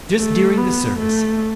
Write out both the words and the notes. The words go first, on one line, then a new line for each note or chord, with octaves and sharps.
Just during the service.
A3
B3
A3